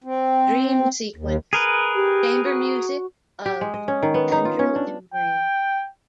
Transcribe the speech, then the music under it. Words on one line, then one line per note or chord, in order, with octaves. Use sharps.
"Dream Sequence - Chamber Music of Andrew Imbrie".
C4
D#2
G#4 A#4 B4
G4
F#4
G4
G#3
D#5
C#4
D#3
B3
D#4
F4
C#4
D4
G5